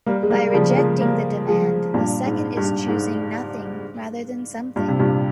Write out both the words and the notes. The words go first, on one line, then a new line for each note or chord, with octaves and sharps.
By rejecting the demand, the second is choosing nothing rather than something.
G3 A#3
G#3
G3 A#3
G3
C#3 F3
A#3
F3 G#3
G3 A#3
F3 G#3
G2 A#2
G#2
G2
G#2
G2 A#2
C3
G2 A#2